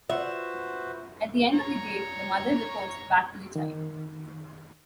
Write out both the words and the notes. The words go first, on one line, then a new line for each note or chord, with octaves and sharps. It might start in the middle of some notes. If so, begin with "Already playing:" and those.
At the end of the date the mother reports back to the child.
F4 F#4 B4 C5 D5 E5 F#5
C#5 A#5 C#6
D#3